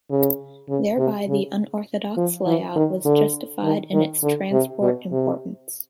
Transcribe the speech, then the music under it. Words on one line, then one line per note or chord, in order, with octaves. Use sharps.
Thereby the unorthodox layout was justified in its transport importance.
C#3
C#3
C3
C#3
F3
E3
D#3
D3
D#3
D#3
D3
C3
B2
C3